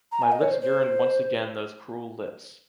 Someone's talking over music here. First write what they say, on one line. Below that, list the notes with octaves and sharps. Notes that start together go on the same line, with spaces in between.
My lips yearned once again those cruel lips.
A#5
G#5
D#5
C#5
C5
C5